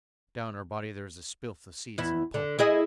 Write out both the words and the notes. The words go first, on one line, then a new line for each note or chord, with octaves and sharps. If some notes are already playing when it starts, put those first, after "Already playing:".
Down her body there was a spilth of seeds and pulp.
E2 E4
D3
E4 G#4 D#5